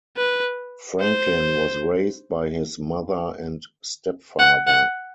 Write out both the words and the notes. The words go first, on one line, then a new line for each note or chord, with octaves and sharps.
Franklin was raised by his mother and stepfather.
B4
C5
F#5
F#5